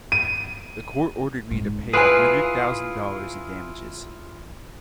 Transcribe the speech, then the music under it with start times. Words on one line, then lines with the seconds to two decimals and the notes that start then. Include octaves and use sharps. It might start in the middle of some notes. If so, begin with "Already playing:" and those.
The court ordered me to pay a hundred thousand dollars in damages.
0.12 D#7
1.51 G#2
1.93 E4 F4 G#4 B4 G#5